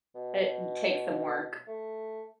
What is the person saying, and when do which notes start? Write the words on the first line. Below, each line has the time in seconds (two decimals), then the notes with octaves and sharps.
It takes some work.
0.15 B2
1.68 A3